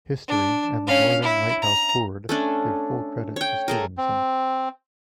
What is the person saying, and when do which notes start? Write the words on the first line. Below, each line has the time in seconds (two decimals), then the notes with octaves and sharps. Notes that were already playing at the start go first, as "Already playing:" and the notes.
History, and the Northern Lighthouse Board, give full credit to Stevenson.
0.28 D4
0.87 C#4 F5
1.23 E4
1.62 A#5
2.29 A3 C#4 D4
3.36 C#5 G5
3.68 A3 G#4 A#4
3.97 C4